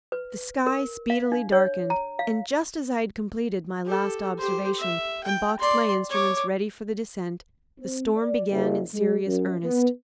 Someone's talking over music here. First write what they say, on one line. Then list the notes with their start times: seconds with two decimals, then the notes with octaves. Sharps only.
The sky speedily darkened, and just as I had completed my last observation and boxed my instruments ready for the descent, the storm began in serious earnest.
0.12 B4
0.67 A#4
1.10 F5
1.32 D4
1.52 C#5
1.90 A#5
2.19 F5
3.86 G4 A4
4.38 G4 C5
4.79 E5
5.24 G5
5.59 D5 C6
6.10 C#5 D6
7.79 C4
8.17 D5
8.51 F#1
8.94 G#3
9.27 F#2
9.63 B3